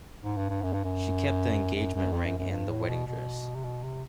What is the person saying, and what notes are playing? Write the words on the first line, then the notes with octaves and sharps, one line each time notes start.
She kept the engagement ring and the wedding dress.
G#2
G2
G2
F#2
G2
F#2
F#2
F#2
F2
F#2
F#2
G2
A2
B2
B2
C3
B2
C3